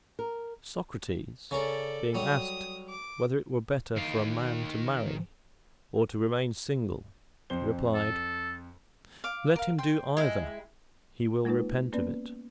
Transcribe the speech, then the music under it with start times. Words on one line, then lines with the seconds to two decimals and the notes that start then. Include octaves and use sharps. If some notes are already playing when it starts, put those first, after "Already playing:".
Socrates, being asked, whether it were better for a man to marry, or to remain single, replied,--"Let him do either, he will repent of it."
0.19 A#4
1.51 C#3 C#4 A4 A#4 D5
2.15 F#3 G3 D#6
2.89 D6
3.96 D#3 F5
7.50 F2 C5 G7
7.94 A4
9.24 F5 D6
9.56 A#4 F5
9.78 G5 C6
10.17 G#3 E4
11.45 G#3 A#3 D#4 F4 B4
11.93 A#3 B3 C#4 B4 D5